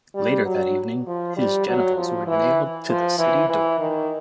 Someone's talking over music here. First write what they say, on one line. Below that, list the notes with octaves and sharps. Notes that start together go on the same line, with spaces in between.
Later that evening, his genitals were nailed to the city door.
G3
F#3
F3
G3
F#3
F3
E3
F3
E3
E3
D#3